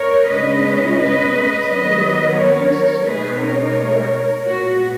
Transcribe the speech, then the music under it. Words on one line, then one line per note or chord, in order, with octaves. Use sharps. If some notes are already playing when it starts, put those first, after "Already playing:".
They are then given activities aligned to the Common Core.
Already playing: A#4 C#5
C#3 G#3 C#4 B4 D#5
B4 D#5
D#3 F#3 B3 B4 D#5
A#4 C#5
B2 G#3 D#4 G#4 B4
A#4 C#5
A#2 G#3 B3 F#4